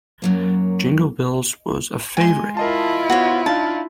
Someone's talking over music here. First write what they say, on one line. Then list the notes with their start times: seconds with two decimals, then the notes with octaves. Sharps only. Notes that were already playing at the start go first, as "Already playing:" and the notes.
Jingle bells was a favourite.
0.22 F#2 F#3 A#3
2.17 G#3 G#5 C6
2.57 E4 F4 A#4 D#5 A5
3.10 B3 F#4 C5 C#5
3.46 D4 D#4 F5 A5